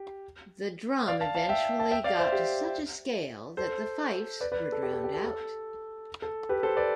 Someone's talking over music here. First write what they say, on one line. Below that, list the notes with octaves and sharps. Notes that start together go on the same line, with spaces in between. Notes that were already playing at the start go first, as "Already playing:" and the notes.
The drum eventually got to such a scale that the fifes were drowned out.
Already playing: G4
D5 F5
F5 A5
F5 A5
E5 G5
A5
E5 G5
D5 F5
C5 E5
G4
A4 C5
B4 D5
B4 D5
A4
G4
A4
G4
A4
A4
A4
G4 B4
A4 C5
B4 D5